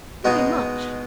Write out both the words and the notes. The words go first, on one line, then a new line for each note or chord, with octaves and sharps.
"Very much!"
B2 G#3 B3 D#4 G#4